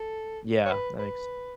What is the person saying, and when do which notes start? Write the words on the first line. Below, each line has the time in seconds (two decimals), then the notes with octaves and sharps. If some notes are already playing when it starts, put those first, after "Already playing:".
Yeah, that makes
Already playing: A4
0.66 C#5
0.72 B4
0.99 B4